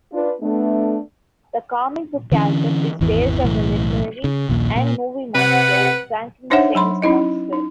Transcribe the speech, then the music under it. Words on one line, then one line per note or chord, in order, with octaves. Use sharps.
The comic book character is based on the literary and movie monster Frankenstein's monster.
D4 F4 B4
A3 B3 D4
D3 E3 C#4
G#1 E2 E3
B1 A2 E3
C#3
A#1 D#2 A#2
A#2 A3 A#3
C3 B4 F#5
D4 D#4 C5 C#5 E5 F#5
F#3 B5 C6
C#4 D#4 E4 D#5
D#4